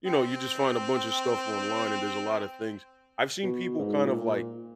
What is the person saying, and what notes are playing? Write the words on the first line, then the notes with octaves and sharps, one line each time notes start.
you know, you just find a bunch of stuff online and there's a lotta things I've seen people kind of, like
C4 G5
B2
G#2
A#2